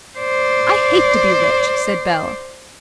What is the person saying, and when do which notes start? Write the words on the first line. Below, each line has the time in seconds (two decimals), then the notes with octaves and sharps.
"I hate to be rich," said Bell.
0.18 C5 D5